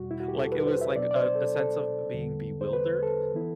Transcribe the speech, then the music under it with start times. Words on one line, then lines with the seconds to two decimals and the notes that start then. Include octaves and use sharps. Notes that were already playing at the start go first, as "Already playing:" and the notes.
Like, it was like a a sense of being bewildered.
Already playing: E2 B2 G3 F#4
0.11 E4
0.20 F#4
0.28 G4
0.37 A4
0.52 B4
0.67 C5
0.81 E5
0.96 B2 F#3 B3 D4 D5
1.11 D5
1.16 C5
1.35 A4
1.55 A4
2.14 E2 D3 G3 B3
2.61 C5
2.73 B4
3.03 A4
3.34 E3 B3 E4